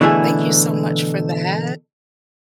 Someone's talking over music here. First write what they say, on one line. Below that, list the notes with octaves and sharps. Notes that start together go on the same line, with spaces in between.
thank you so much for that.
B2 D3 E3 A3 E4 G#4